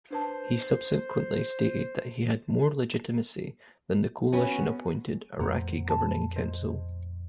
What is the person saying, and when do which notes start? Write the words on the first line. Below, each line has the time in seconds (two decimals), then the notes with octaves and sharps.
He subsequently stated that he had more legitimacy than the Coalition-appointed Iraqi Governing Council.
0.11 D4 B4 C5 A5
4.32 B3 C#4 F#4 B4
5.40 F2 A#2 A3 C5 F#5 A#5
5.90 A5 B5
6.36 C5 D#5